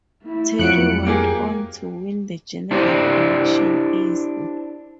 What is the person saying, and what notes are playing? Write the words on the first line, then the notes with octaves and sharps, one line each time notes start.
Terry went on to win the general election easily.
A3 E4
F2 F3 F#3 F#6 C#7 D7
A#3 G4 G#4
D4 E4 G4 C5 D5